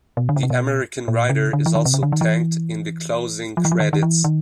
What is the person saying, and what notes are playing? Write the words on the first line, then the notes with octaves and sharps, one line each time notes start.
The American writer is also thanked in the closing credits.
B2
D3
C#3
C3
B2
A#2
C#3
D3
E3
D#3
C3
C#3
D3
D#3
E3
F3
E3
F3
D#3
D#3
E3
D#3